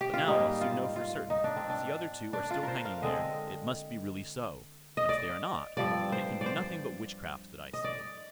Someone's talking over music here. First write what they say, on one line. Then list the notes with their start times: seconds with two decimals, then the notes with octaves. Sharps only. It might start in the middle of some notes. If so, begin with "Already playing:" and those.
But now I'll soon know for certain; if the other two are still hanging there, it must be really so; but if they are not, then it can be nothing but witchcraft that I see.'
0.01 G4
0.14 F4
0.27 G#2 G3 A#3 D#4
0.61 F4
0.96 F4
1.30 D#4
1.44 D4
1.57 C4
1.70 D4
2.33 D4
2.51 F4
2.63 A#4 C5
2.85 F5
3.02 D3 G#3 C4 D#5
4.97 D#5
5.09 D5
5.77 G2 F3 C4 D5
6.12 C5
6.41 D5
6.46 C5
7.73 D#5
7.84 D5